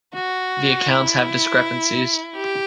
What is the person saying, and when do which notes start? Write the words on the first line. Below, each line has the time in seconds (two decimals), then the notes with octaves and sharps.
The accounts have discrepancies.
0.15 F#4
0.88 E4
2.36 G4